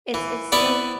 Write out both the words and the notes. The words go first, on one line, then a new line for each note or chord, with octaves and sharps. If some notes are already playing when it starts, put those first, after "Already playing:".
it's it's so
E3
B3 E4 B4 D5